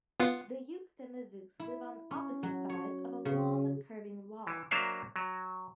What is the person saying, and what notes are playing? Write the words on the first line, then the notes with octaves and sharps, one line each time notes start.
The Yooks and the Zooks live on opposite sides of a long curving wall.
B3 F4 F#5
E4
C#4
F#3
C#5
C#3
E3
F#3 A#3 D4 C5 E5 F5
F#3